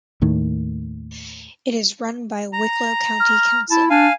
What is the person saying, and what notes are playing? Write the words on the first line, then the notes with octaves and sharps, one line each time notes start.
It is run by Wicklow County Council.
D#2 A2 D#3
A#5
F6
E4 A5
D4 F5 G#5